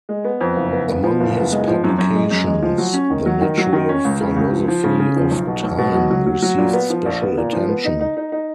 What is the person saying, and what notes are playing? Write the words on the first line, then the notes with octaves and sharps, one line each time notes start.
Among his publications, "The Natural Philosophy of Time" received special attention.
G#3
B3
F2
F#1
B3
B3
F3
F#1
B3
G#3
F3
F#2
F#2
G#3
F#2
G#3
F3
F#3
C#4
D#3
F#3
D#3
F#3
D#3
C#4
C#2
C#3
C#2
F3
F3
C#3
C#3
F3
B1
B2
B1
B2
F#3
F#3
F#3
F#3
A#2
B3
F3
A#1
B3
A#2
F3
B3
D#4
D#4
D#4
D#4